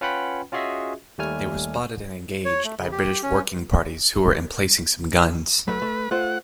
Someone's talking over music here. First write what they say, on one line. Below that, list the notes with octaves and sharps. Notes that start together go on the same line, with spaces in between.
They were spotted and engaged by British working parties who were emplacing some guns.
C#4 F4 B4 F#5 G5 B5
C#4 F4 F#4 G#4 D#5 E5
D#2 G3 A3 G#5 F6
C#5
A3
C#3
G4
C#4
F#3 A3 B4
A3
A3 F4 C5 F#5